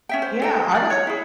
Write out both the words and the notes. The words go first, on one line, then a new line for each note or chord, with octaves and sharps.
Yeah, I was
C#4 E5 G5
C5
A4 G5
D5
C#5
E4 G#4